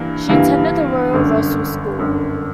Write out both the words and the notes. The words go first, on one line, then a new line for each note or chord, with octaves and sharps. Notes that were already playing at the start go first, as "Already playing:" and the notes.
She attended the Royal Russell School.
Already playing: G2 E3 A#3
G2 E3 G3 A#3
G1 F#2 D3
G1 F#2 D3